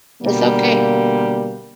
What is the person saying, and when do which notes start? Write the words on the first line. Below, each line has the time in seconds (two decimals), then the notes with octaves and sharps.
It's okay.
0.22 B2 D3 G3 A#3